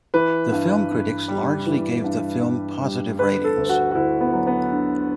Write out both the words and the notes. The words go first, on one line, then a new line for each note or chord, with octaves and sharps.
The film critics largely gave the film positive ratings.
E3 B4
G2
G2
G3
E3
G2
G2
G3
D3 B4
A4
D2
F#4
F#4
D2 E4
B3
F#3
B3
D3